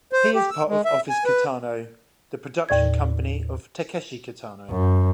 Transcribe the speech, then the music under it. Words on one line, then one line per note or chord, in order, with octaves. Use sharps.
He is part of Office Kitano, the production company of Takeshi Kitano.
C5
G4
E6
G#3
E5
G#5
B4
D#2 A2 D5 G#6
F#2